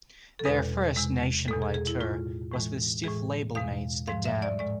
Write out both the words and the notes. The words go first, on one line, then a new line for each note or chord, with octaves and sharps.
Their first nationwide tour was with Stiff labelmates the Damned.
A4
E2 B2 G#3 B4
E2 C3 G#3
E2 B2 G#3 A4
G#4
G#4
E4
A2 G#3 F4
A2 E3 G#3
A2 E3 G#3 G#4
E2 B2 G#3 F5
G#2 F3 G#3 F5
E5
D5
A2 G#3 D5